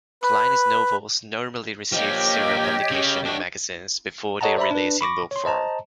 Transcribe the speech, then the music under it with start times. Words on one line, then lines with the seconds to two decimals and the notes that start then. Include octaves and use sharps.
Kline's novels normally received serial publication in magazines before their release in book form.
0.23 B4
1.92 F3 A#3 G4 C#5 D#5
2.91 C#3
3.26 D4 F#4
4.41 A4 C#5 D#5 F#5 A5 A#5
4.57 C5 D5 E5 A#5 B5
4.71 D4 B4
5.01 B5 C#6 D6 A#6
5.31 C#5 C6
5.45 C5 D#5 A5 A#5